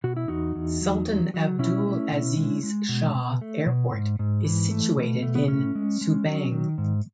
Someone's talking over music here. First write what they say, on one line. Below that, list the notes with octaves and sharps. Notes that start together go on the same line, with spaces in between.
Sultan Abdul Aziz Shah Airport is situated in Subang.
B2 F#4
E4
E2 D#4 F#4
E2
F#3
F#3
F#3
B2 C#4 E4
A3
B2
G#3
G#3
B2
B2
A3
B2
G#2
G#2
E3
A3
B2
A3
B3
A2 C#4
G#3
G#3
F#3
D#3
G#2